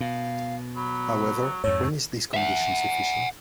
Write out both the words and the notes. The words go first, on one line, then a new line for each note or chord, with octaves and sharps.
However, when is this condition sufficient?
B2 F5
F#3 B5
F2 G#2 A3 C#5
E5 F#5